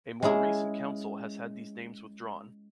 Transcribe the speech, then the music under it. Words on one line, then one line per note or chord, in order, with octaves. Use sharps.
A more recent Council has had these names withdrawn.
G#3 C#4 E4 G#4